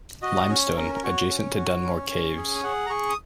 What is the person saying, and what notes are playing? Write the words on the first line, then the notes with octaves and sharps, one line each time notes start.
Limestone, adjacent to Dunmore Caves.
F#4 D#5
C#4 C#5
C#4 A#4
A#4
F#4 C#5
C#4
F#4
C#4
C#4
G#4
G#5
G#4 F#5
A#5
G#4 C#6
D#6